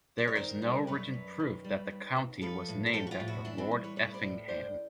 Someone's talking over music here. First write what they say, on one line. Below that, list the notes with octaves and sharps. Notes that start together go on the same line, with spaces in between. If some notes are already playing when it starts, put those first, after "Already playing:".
There is no written proof that the county was named after Lord Effingham.
D5
C#5
D#3 A#4 C5
G3
F#2 B4 C#5
F#2
D#3
G3
D#2
D#2
F3 A4 B4
A2
A#4
F3 G4 A4
F#4
F4 G4
A2
E4 F#4
E3 D4 E4
C4 D4
G3
B4 C#5
A2 B4 C#5
C5 D5
A2
C#3 C5 D5